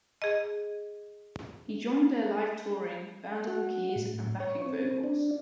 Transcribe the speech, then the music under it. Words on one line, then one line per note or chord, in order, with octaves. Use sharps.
He joined their live touring band on keys and backing vocals.
G#4 D#5
F#4
A2
C#5
C4
D4